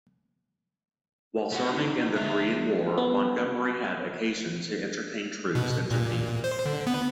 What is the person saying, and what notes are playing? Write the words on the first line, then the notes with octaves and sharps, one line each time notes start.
While serving in the Korean War, Montgomery had occasion to entertain troops in Japan.
A3 F#4 F#5
D3 D#4
G#3 G#4 E5
B3
B2
A#2
C5
D3
B3